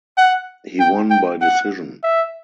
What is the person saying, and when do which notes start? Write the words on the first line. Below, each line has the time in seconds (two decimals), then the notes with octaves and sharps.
He won by decision.
0.17 F#5
0.79 G5
1.10 G5
1.41 F#5
2.03 E5